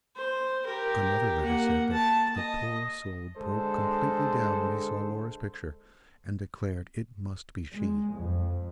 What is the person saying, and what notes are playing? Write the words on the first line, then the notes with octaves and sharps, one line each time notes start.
Another letter said that "the poor soul broke completely down when he saw Laura's picture, and declared it must be she."
C5
G4 A#4
A#3 F#5
A5
D#5
D3 G#3 A4 C5
G#3
F2